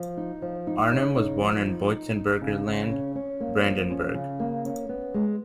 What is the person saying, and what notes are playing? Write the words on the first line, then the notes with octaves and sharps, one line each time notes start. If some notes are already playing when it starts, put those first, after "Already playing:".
Arnim was born in Boitzenburger Land, Brandenburg.
Already playing: F3
D#4
F3
D#4
C#3
D#4
F3
D#4
D#4
D#4
C#3
C#3
C#4
C#4
A#3
F3
C#4
C#3
A#3
C#4
B3
G#3